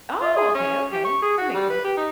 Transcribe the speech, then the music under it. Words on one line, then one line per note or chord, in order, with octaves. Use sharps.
Oh! Okay, okay. That makes sense.
F4
G#4
C#4
G4
C#6
G#4
F#4
G3
B4
G4
D#4